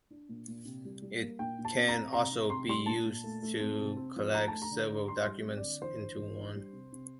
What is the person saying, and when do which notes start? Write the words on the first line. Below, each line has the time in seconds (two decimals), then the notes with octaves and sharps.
It can also be used to collect several documents into one.
0.11 D4
0.29 A#2
0.48 A#2
0.65 C3
0.85 G3
1.02 G3
1.21 A#3
1.39 A#2 G5
1.59 A#2
1.65 A5
1.76 C4
1.88 A#5
1.95 C4
2.13 C3 A#5
2.31 C3
2.49 C3 C6
2.68 G3 C6
2.86 A#2 A5
3.06 A#2
3.24 A3
3.42 A3
3.60 C4
3.79 C3
3.97 C4
4.16 F3
4.34 A3 A#5
4.48 A5
4.53 A3
4.62 A#5
4.70 D3
4.90 D4
5.08 G3 C6
5.22 G3 C6
5.45 C4
5.57 D5
5.63 D3
5.81 E3 C5
5.99 D4
6.19 E3
6.37 D4
6.55 G3
6.73 C3
6.92 C3